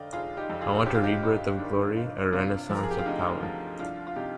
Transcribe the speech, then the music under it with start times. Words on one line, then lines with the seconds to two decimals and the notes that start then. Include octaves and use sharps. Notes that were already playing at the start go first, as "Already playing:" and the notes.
I want a rebirth of glory, a renaissance of power.
Already playing: F1 D3 D5 D#5 F5 G5
0.12 F1 F4 G#4
0.37 D#4 G4
0.49 F2
0.61 F4 G#4
0.86 G1 G4
0.95 F4
1.03 D#4 G4
1.22 G1 D#4
1.59 D#3 D4
1.96 G1 D#4
2.32 C3 D4 F4
2.69 F3
2.75 A#4
2.83 G#4
2.90 G4
2.98 F4
3.06 D2 D#4
3.42 F3
3.79 C2 D4 F4
4.07 F4
4.16 C3 D#4 G4